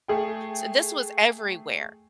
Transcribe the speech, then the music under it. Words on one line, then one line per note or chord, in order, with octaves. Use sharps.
so this was everywhere.
A3 G#4 G5